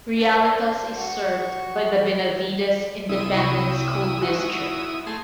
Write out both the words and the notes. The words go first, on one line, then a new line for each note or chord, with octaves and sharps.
Realitos is served by the Benavides Independent School District.
D4 C5
F#4 C#6
C2 E4 F4 D#6 D#7
G5 B5 C#6
G#1 F#4 F#5
A3 G#4 C6 A#6